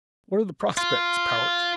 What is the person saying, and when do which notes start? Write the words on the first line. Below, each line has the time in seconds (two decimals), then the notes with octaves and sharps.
"What are the prospects, Powart?"
0.78 F4